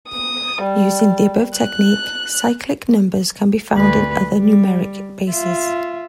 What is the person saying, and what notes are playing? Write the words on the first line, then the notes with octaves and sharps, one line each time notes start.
Using the above technique, cyclic numbers can be found in other numeric bases.
D#6
G3
F#6
D2 B4
G3
F4 E5